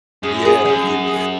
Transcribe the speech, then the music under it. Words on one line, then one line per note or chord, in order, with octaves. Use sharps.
yeah, you know.
F#2 G#4
G#4
F#2 G#4
G#4
G#4